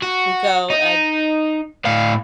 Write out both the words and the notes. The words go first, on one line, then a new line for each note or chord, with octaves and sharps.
we go I
F#4
D#4
A2 F5